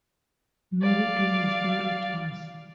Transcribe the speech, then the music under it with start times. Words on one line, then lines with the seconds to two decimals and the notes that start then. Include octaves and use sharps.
Nureddin was married twice.
0.82 D5 F5